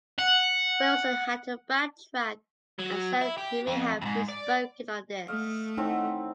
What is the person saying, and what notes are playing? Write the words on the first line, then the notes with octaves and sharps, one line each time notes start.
Wilson had to backtrack and said he may have "misspoken" on this.
F#5
F#3
E4
G4
F2
F2 G#2
D5
A3 D#5 F5
C4 D#4 E4 C#5 F#5 A5